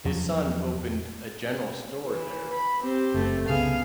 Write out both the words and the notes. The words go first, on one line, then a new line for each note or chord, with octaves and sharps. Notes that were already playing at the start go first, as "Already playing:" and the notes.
His son opened a general store there.
E2 F3 F#3
E3
B5
C4 G4
F#1 A3
C2 C#3 B3 G#4 F5